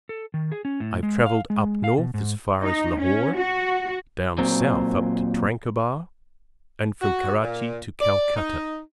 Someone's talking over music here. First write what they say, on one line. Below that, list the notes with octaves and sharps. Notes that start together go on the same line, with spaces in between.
I have travelled up north as far as Lahore, down south up to Tranquebar, and from Karachi to Calcutta.
A4
D#3
G#4
C#4
A2
G#3
F5
G#3
F5
B2
G#2
D#4
C#4
F#4
A#2 F#3 C4
F#4
A#2
D5
D#4